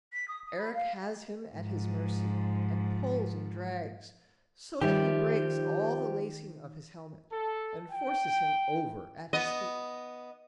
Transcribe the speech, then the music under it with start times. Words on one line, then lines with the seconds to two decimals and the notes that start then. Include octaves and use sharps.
Erec has him at his mercy, and pulls and drags so that he breaks all the lacing of his helmet, and forces him over at his feet.
0.12 B6
0.28 D#6
0.46 D#6
0.58 B5
0.73 F5
1.54 G#2 F3
4.81 D#3 F3 G3 E4 G4
7.32 A4
7.91 G5
9.33 B3 D#5